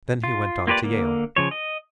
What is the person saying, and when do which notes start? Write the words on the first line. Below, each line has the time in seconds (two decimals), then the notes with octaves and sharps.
Then he went on to Yale.
0.24 F4
0.67 A#3 F4 G4 B4 D5
0.84 D3 A#3
1.36 C#3 F3 C#5
1.51 D#5